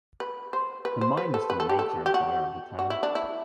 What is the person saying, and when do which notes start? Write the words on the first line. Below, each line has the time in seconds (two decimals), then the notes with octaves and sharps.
The mine is the major employer of the town.
0.20 B4
0.53 C5
0.85 B4
1.01 C5
1.17 B4
1.34 A4
1.50 B4
1.60 A4
1.69 G4
1.79 A4
2.06 G4
2.14 F#4
2.79 F#4
2.90 E4
3.03 D4
3.15 E4